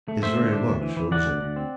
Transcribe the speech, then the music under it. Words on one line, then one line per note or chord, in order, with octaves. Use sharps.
His very look shows it.
A3
A3 C5 E5
D3
D4
D2
E3
E3
E3 D5 F#5
D2
D2
C4